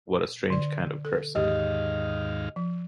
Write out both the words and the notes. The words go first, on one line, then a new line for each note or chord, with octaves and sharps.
What a strange kind of person!
D3 D5
A4
D#2 G#2 G4 D#5 F5
F3